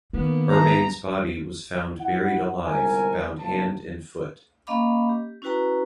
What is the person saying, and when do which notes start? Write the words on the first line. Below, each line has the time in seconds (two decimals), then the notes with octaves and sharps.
Urbain's body was found buried alive, bound hand and foot.
0.13 D#3 A#3 B3
0.50 E3 G#4 A4 A#5
2.00 E4 F#5
2.66 G1 C2 G#3 A#4 C5 G#5
3.38 F#1 B1 G2 F3 F#3 A5
4.67 A#3 C#4 D#5 F5 B5 D6
5.09 G4
5.42 C#4 E4 F#4 B4 G5 A#5